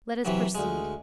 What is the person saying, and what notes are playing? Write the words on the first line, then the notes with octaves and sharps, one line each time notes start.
Let us proceed.
C3 E3 F#3
D2 G#3